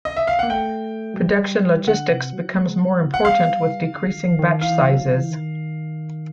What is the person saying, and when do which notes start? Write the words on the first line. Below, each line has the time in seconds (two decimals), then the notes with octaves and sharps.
Production logistics becomes more important with decreasing batch sizes.
0.05 D#5
0.17 E5
0.27 F5
0.39 A#3 F#5
0.50 A3 G5
1.14 F#3
1.18 G3
1.87 D3 F#5
2.10 C3
2.33 F#3
2.56 G#3
2.79 G3
3.01 F#3
3.14 F#5
3.24 G3 F5
3.85 C#3
3.93 D3
4.16 D#3
4.39 D#3
4.61 E3 F5
4.90 F#3
5.03 F3
5.17 E3
5.31 D#3